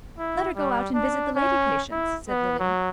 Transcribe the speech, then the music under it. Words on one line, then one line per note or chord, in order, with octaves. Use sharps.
"Let her go out and visit the lady patients," said Lily.
E4
G3
D4
C#4
E4
B3
F#3